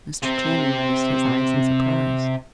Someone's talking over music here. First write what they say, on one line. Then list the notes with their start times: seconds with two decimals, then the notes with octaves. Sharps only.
Mr. Channing raised his eyes in surprise.
0.23 C3 C4